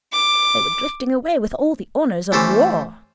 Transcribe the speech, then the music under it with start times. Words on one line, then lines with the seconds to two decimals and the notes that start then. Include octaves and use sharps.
They were drifting away with all the honours of war.
0.13 D6
2.32 E3 A3 C#4 G4 A4 C5